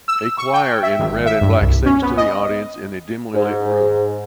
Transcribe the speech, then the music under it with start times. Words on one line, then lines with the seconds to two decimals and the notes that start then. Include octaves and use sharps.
A choir in red and black sings to the audience in a dimly lit room.
0.08 E6
0.38 C#6
0.53 G5
0.83 E5
0.99 G#1
1.26 E5
1.41 G2
1.61 C2
1.86 C#4
2.02 B3
2.17 D#5
3.34 G#2